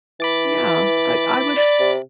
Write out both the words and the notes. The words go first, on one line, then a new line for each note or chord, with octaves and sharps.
Yeah, I I would
E3 B5 D6 A6
D5
C3